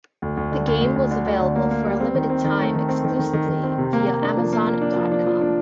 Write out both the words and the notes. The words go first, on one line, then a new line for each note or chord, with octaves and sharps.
The game was available for a limited time exclusively via Amazon dot com.
D2
D2
D3
D2
D2
D2
D3
D2
D3
A#3
A#3
G3
C4
D#3
C4
D#3
A3
D#3
C4
D#3
D#3
D#3
D#3
C4
C3
A#3
A#3
D4
F3
A#3
A#3
D4
F3
D4
F3
D4